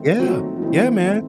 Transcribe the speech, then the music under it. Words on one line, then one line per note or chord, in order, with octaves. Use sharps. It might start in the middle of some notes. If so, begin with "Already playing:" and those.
Yeah. Yeah, man.
Already playing: D#3 A3 C4
D#3 F#3 A3 C4
F#3
D#3 E3 A3 C4
D#3 A3 C4